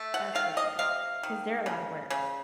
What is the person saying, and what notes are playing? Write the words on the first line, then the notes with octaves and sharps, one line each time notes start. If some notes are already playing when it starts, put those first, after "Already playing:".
that's for sure, 'cause they're a lotta work,
Already playing: A3
F#5
D#3 F5
D#5
C3 F5
D#3
C#3
C#3